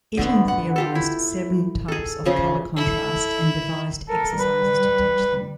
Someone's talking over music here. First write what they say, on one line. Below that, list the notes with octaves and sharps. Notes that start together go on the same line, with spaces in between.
Itten theorized seven types of color contrast and devised exercises to teach them.
D3 A3 B3
F#5
F4 G4 A4
E4
G#4 A4
C#3 F3 A3
E4 A4
A4 A#4
G3 B4